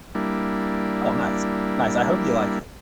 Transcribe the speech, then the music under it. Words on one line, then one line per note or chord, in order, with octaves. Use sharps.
Oh, nice. Nice. I hope you like it.
G3 A#3 D4 E4